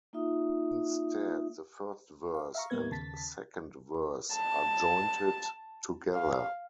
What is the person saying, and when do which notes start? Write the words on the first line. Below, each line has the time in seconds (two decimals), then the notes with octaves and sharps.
Instead, the first verse and second verse are jointed together.
0.13 A#3 D#4 F4 E5 D#6
2.34 F5
2.55 E5 F5 A#5 C#6
2.70 A2 G3 A#3 B3 B4 G#6
2.91 D#2 C#3 A5 A6 B6
4.34 A5
6.14 F5